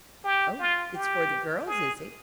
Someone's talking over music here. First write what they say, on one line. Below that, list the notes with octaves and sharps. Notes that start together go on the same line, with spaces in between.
"O, it's for the girls, is it?"
G4
F4
G4
G#4